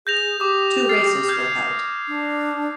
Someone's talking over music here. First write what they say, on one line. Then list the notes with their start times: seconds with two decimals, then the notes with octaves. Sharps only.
Two races were held.
0.07 G#4 G6 A#6 F7
0.40 G4 D6 D#6
0.89 F6 A6 C7
1.28 F6 G6 G#6
2.08 D4